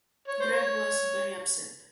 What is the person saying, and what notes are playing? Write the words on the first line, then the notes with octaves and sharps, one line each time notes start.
Greg was very upset.
C#5
C5
C#5